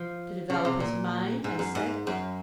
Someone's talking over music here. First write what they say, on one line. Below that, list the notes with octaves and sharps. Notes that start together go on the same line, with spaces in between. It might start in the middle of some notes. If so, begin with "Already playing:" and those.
"To develop his mind," I said.
Already playing: F3
C#3
C3
A#2
G#2
F#2
G#2
F#2